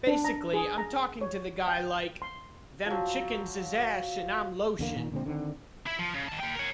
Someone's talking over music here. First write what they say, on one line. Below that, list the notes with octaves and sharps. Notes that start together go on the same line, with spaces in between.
Basically I'm talking to the guy like, 'Them chickens is ash and I'm lotion.
D4
A#5
G#4
A#5
C#5
G5
C6
F3 F#3
E2 D3 A#3
A#2 D#3
A#2 D3 G#3 C4
D3 D#3 C4
E4 E5
F3
C#3
D#3 A5
A#3 G5
A#4 C#5